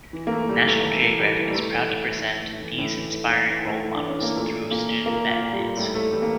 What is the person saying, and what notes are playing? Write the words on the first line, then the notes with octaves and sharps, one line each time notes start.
National Geographic is proud to present these inspiring role models through student matinees.
E3
A#3
E3 A3
A2 G3
E3 A3
A2 A3
E3
A2 G3
E3
G3
E3 A3
A2
A2
A2
A2
A2
E3
A2
E3
A2
A2
E3
A2 A3
E3
D4
A2
C#4
E3 A#3
A#2 A3
A#2
A#2 A#3
A#2
A#2 A#3
A#2
F4
A#2
G3
A#2
A2 G3
A2 A3
E3 G3
A#3